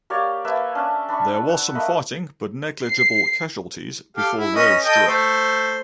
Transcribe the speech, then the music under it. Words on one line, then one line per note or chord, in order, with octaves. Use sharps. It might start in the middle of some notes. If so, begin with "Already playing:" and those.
There was some fighting but negligible casualties before "Roe" struck.
A#3 G4 C#5 D5
A#3 B4 E5 A5
C#4 D4 A5
D4 B5 C#6
F#5
A3 A#3 D#5 B5
C7
G4 A4 F5
E4
C#4 B4 D#5
A4 D#5 G5
A3 C5